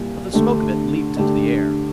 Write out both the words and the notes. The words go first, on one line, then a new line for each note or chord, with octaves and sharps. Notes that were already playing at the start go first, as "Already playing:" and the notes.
But the smoke of it leaped into the air.
Already playing: C2 A#2 G3
D3 A3 D4 G4
D3 A3 D4 G4